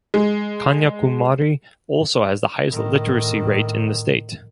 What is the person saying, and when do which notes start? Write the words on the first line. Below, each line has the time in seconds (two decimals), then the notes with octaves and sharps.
Kanyakumari also has the highest literacy rate in the state.
0.14 G#3
2.70 A2 D#3